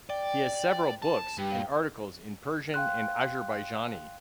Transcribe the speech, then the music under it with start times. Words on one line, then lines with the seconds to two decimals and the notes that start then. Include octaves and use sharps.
He has several books and articles in Persian and Azerbaijani.
0.10 D5 G5
1.02 A5
1.38 G2 G4 G5
1.51 F5 G5
2.74 F5 G5 C6 F#6